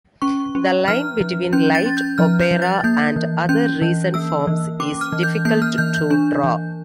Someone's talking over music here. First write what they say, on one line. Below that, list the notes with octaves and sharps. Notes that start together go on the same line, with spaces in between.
The line between light opera and other recent forms is difficult to draw.
C#4 C#6
C#4
F3 F6
F3
C#4 G6
A6
C#4
G6
F3 F6
G6
F3
A6
A#3 G6
E3
C#4 G6
E3
A#3 E6
E3
C#4 D6
F6
E3
G6
A#3 G6
F6
E3 G6
G6
D4 G6
E3